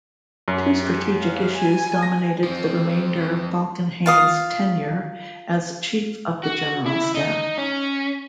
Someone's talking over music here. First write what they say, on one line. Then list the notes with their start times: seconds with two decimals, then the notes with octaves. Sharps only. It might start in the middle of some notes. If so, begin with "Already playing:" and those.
Two strategic issues dominated the remainder Falkenhayn's tenure as Chief of the General Staff.
0.48 F#2
0.80 G4
1.21 F5
1.56 G#5
2.03 A#6
2.43 F3 C4
4.06 F4 F5 D#6
6.44 F#4
6.86 E4
7.15 D#4
7.58 C#4